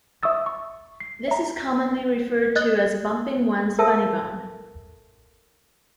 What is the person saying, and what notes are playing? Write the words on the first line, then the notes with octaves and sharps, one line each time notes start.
This is commonly referred to as bumping one's "funny bone".
E5 C#6 D#6 E6 A6
C#6
C7
E5 A#5
D#5 D#6 F#6 A6
A4 A#4 E5 A5